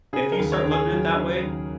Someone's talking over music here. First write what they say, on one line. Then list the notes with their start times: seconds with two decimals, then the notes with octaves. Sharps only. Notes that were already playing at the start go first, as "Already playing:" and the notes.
if you start looking at that way,
0.13 C#3 G#4
0.32 A#4
0.39 D#2
0.52 C#5
0.64 D#2
0.71 G#4
0.90 F#3
1.16 C#3
1.42 D#2